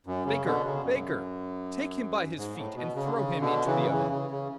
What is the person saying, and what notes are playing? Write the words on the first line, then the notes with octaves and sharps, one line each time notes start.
'Baker, baker, take him by his feet, and throw him into the oven!'
F#2
C#3
B2 D3
C#3
F#2
G#2
A2
B2
C#3
D3
C#3
B2 D3
C#3 E3
C#3 E3
C#3
C#3